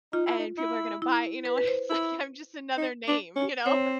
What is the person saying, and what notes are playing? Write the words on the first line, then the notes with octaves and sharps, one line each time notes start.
and people are gonna buy it," you know, and it's like I'm just another name, you know.
D#4 F4
E4
D#4
E4
E4
B4
B4
C5
E4
D#4
D4
C#4
C4 C#5